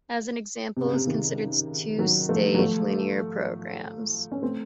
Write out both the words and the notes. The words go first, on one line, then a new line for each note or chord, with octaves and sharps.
As an example, consider two-stage linear programs.
C3
C#3
C3
C3 D#3
D#3 F#3
F3 A3
F#3
F3 A3
C#4
A3 C4